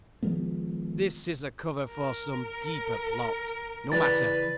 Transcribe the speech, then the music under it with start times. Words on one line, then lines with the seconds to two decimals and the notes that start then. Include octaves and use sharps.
This is a cover for some deeper plot; no matter.
0.23 D#3 F3 G#3 B3
1.90 A#4
3.92 C#3 E3 B4 D5 A6